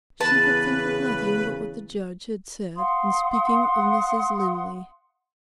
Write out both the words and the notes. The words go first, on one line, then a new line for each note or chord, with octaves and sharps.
She could think of nothing but what the judge had said, in speaking of Mrs. Linley.
E2 C#3 B4 A5
F5 F#5 C6 D#6